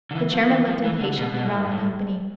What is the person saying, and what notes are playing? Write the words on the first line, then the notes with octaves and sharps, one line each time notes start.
The chairman looked impatiently round the company.
D3
E3
F3
E3
F3
E3
D3
B2
B2
A2
G2
A2